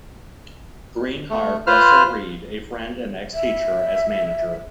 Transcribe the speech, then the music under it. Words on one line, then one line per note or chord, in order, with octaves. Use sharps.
Green hired Russel Reade, a friend and ex-teacher, as manager.
A3
F4 B4 C5 F6
E5